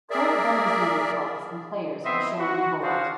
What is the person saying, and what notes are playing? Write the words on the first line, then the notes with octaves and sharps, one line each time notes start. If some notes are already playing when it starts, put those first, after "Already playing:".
Current Bundesliga clubs and players are shown in bold.
G#4 A#4 D5 E5
B3 C4 E4 D#5 E5 C6
F#4
D4 F4 F#4 G#4 C5 F5